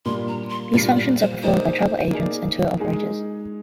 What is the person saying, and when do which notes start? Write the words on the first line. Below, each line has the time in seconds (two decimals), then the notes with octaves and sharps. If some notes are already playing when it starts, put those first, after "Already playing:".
These functions are performed by Travel Agents and Tour operators.
0.05 A#2 G3 A#3 D4 F4 C6
0.28 A#5
0.50 C6
0.73 A#2 G3 A#3 D4 F4 D5
0.96 D5
1.19 C5
1.42 A#3 D#4 G#4 C5 D5
2.11 A#3 D#4 G#4 D5
2.80 G#3 D#4 G#4